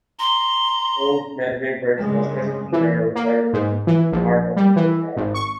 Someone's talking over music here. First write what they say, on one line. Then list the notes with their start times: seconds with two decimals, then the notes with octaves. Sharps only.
The old Medway Bridge was physically narrowed by removing part of the footpath.
0.19 A#5 C6
1.99 G2 C#3 G#3
2.72 E3
3.15 A#3
3.53 G#2
3.87 E3
4.12 A#1
4.56 G3
4.76 E3
5.16 G#1
5.34 C#6